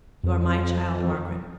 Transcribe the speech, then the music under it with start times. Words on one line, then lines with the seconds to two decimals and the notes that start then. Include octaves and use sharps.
You are my child, Margaret.
0.23 F2